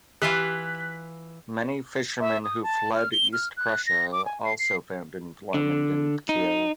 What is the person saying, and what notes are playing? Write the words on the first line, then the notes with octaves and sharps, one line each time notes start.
Many fishermen who fled East Prussia also found employment in Kiel.
E3 E4 F4 G4 F#6 B6
E5
D#6
A5
F6
G7
F6
F#6
A#6
D6
G#5
C7
C7
D3
D#4